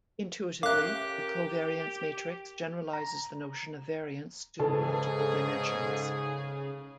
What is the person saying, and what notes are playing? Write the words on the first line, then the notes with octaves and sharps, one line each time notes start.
Intuitively, the covariance matrix generalizes the notion of variance to multiple dimensions.
C#4 G4 A#4 E5 F5 D6 F#6
A#5
G#2 C#3 G#4 A4 B4 A5